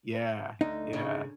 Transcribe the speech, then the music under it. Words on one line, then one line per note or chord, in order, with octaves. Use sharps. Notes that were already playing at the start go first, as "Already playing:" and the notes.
Yeah. Yeah.
D2 D#4
C#3